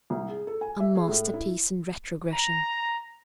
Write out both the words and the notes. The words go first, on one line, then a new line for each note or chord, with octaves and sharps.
A masterpiece in retrogression.
C2
G#4
A4
G#5
E5
G#4
A2
E4
A#5